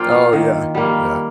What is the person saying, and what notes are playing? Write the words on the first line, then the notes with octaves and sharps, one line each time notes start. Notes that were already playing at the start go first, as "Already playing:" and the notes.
Oh yeah, yeah.
Already playing: F3 A#3 F4 D5 G5
F5
D#3
G3 A#3